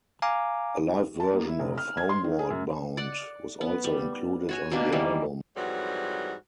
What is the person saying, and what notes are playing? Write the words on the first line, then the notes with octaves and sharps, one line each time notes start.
A live version of "Homeward Bound" was also included on the album.
F5 G#5 A#5 D6
A5
A#3
E4
F1
F6
G#6
C6
D#3
G#4
F#2
D5 F#5
B3
G3
F#4 C#5 G#5
B2 A#3 D4 G4
D#3 E3 G3 A#3
F2 G#2 E3 F#3 G3 F#4